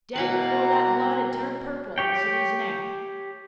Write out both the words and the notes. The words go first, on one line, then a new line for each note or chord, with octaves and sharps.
"Dead before that blood had turned purple--as it is now."
B2 A#3 E4 B4 F#5 A#5
G4 C#5 G5